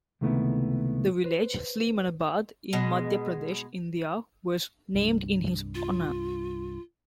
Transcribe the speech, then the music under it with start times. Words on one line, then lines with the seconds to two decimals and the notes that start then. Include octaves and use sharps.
The village Sleemanabad in Madhya Pradesh, India was named in his honour.
0.21 C#2 C3 D#3 A3 B3 E4
1.24 B4 C5
2.73 B2 G#3
4.94 C2 G2
5.75 F4